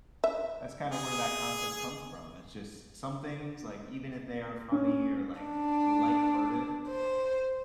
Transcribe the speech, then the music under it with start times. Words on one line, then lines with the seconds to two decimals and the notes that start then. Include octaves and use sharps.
that's kinda where that concept comes from. It's just some things, like even if they are funny or, like, lighthearted,
0.24 E5
0.92 G#4
4.72 C#4
5.40 D4
6.89 C5